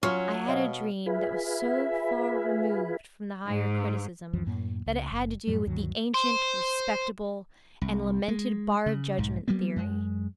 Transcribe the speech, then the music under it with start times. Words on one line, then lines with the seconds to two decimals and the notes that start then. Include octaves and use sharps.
I had a dream that was so far removed from the higher criticism that it had to do with the ancient, respectable, and lamented bar-of-judgment theory.
0.03 F#3 C#4 F4 C#6 F6
0.46 B2 C#5 D#5 F5
1.06 F4 G#4 B4 E5
3.47 G#2
4.33 C#2 F#2 E3 F3
4.47 F#2 A2 A#3
4.86 C#2
5.11 F#1
5.47 F#2 A2 F#3 G3
5.66 D2 G2 D#3 F#3
6.14 C5
7.82 C2
8.28 G#3
8.86 C#3
9.18 B1 G#2
9.48 F#3 G3 A#3 B3
9.76 F#2 G#3